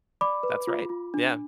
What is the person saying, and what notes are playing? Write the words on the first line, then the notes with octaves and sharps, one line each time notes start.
That's right. Yeah.
D5 B5 D6
B4
F4
F4
D4